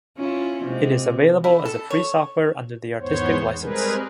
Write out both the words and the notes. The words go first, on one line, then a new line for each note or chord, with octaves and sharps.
It is available as a free software under the Artistic License.
C#4 E4 F4
C3 G#3
E4
A4
C#5
E2 G#2 B3 C5 C#5
G3 G#3 C4 G#4 A#4 B4